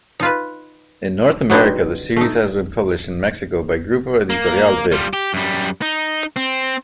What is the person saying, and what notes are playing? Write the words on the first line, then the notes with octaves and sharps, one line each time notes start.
In North America the series has been published in Mexico by Grupo Editorial Vid.
D#4 F4 B4
F#3 B3 C4 D4 D#4
A3 D#4
A#3
G3 F4
G4
F#2 G3
D#4
C4